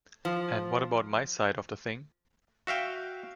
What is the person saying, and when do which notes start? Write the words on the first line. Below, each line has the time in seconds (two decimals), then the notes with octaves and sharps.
And what about my side of the thing?
0.25 F3
2.67 F#4 E5 F5 G5